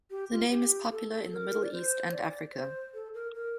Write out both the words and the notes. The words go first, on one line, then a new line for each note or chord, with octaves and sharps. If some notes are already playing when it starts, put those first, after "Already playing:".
The name is popular in the Middle East and Africa.
G4
F4
G4
A4
A4
A#4
D5
C5
C5
D5
C5
A4
A#4
A#4